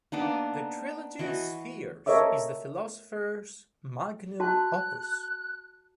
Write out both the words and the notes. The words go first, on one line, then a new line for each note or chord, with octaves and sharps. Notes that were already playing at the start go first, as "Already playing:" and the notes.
The trilogy "Spheres" is the philosopher's magnum opus.
A#3 B3 D4 D#4
E3 F#4 D#5
A4 A#4 C#5 D#5 E5 D6
F#4 A5 F#6